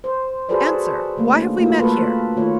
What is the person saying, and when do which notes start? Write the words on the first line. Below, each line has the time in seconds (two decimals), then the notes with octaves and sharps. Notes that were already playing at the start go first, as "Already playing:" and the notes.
Answer: why have we met here?
0.04 C5
0.49 F#4 G#4 A4 B4 C5 D5
1.17 D3 A3 A#3
1.57 A3 A#3 F4 F#4
1.81 A3 A#3 A4 B4
2.37 D#3 A3 F4 C#5